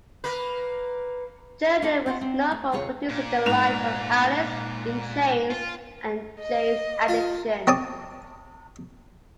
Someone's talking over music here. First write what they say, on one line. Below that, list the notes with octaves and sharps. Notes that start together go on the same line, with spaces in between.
Jerden was known for producing the likes of Alice in Chains and Jane's Addiction.
A#3 B4
A#3 D#4 F4 A4 D5 E5
C4 F4 F#4 F#5
C4
A3
D#2 C3 F4 G#4 C#5 F5
A#2
G#2 E7 F7
F4
D#5
F4
C4 C#5 A5 D6 D#6